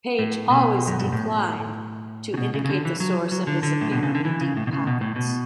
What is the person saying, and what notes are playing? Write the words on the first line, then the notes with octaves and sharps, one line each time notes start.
Page always declined to indicate the source of his apparently deep pockets.
A2
B2
F#2
G2
A2
C#3
B2
C#3
C#3
D3
E3
F#3
F#3
D3
D3
A2
B2
C#3
D3
E3
C#3
A2
B2
C#3
B2
A2
B2